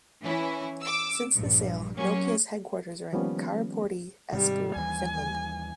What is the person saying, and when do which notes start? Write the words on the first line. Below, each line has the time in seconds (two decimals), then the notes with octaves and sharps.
Since the sale, Nokia's headquarters are in Karaportti, Espoo, Finland.
0.21 E3 C#4 E4
0.80 D6 E6
1.33 A#1 G2
1.95 F#3 A#3 C#4
3.13 D#3 F3 G3 A#3 B3 C#4
4.33 G#2 C3 D#3 G3
4.76 D#2 E3 G3 G#5